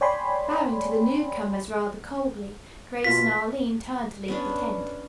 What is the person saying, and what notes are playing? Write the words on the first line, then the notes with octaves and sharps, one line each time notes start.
Bowing to the newcomers rather coldly, Grace and Arline turned to leave the tent.
C#5 D5 G5 G#5 B5 C6
B2 A#3 F4 B6
B3 C#4 D4